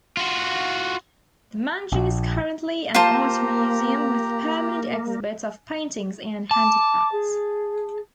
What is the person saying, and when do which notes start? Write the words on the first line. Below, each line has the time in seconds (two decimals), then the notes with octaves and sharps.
The mansion is currently an art museum with permanent exhibits of paintings and handicrafts.
0.17 F4 F#4
1.92 A#1
2.95 A#3 F4 G4 C5 A5 A#5
6.51 A5 D6
7.12 G#4